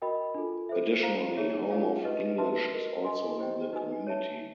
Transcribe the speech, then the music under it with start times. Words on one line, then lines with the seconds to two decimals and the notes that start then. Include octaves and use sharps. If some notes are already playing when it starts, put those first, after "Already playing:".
Additionally Home of English is also in the community.
0.02 F#4 A#4 D#5 G5 B5
0.35 D4 F4 A4
0.69 A4 C5 E5
1.03 C5 F5 A#5
1.37 D#4 G#4 C#5 E5
1.70 D4 F4 G#4 C#5 F5
2.04 D#4 G4 B4 D#5
2.38 F#4 B4 E5 A5 C6
2.72 F#4 A#4 D#5
3.05 B4 D#5 G#5 C6
3.39 E4 G4 C5 D#5 G5
3.73 D#4 F#4 B4 D#5 G#5
4.07 C#5 E5 A5